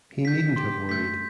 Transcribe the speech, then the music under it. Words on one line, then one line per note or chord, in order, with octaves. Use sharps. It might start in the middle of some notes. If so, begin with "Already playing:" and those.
He needn't have worried.
G6 B6
G4 C6
A3 G6 B6